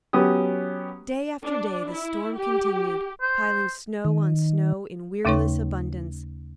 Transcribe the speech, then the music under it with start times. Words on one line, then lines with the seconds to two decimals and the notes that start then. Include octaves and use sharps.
Day after day the storm continued, piling snow on snow in weariless abundance.
0.13 F#3 B3 C#4 G4 D#6
1.43 D4
1.90 E4
2.35 G4
3.22 C5
4.05 D#3
5.25 D#2 C#3 A3 D#4 C#5 C#6